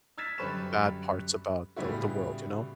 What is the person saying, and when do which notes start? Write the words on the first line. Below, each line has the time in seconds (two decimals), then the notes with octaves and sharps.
bad parts about the the world, you know?
0.18 E6 F6 G#6 A6 B6 E7
0.38 F#2 D3 G3 B4 C#6 E7
1.76 A2 C#3 G3 B3 E4 F#4